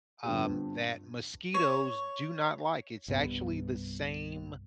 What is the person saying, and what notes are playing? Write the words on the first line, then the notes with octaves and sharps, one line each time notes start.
um, that mosquitoes do not like. It's actually the same,
G2 D3 B3 C4 F4 G4
C#5
C2 G2 B3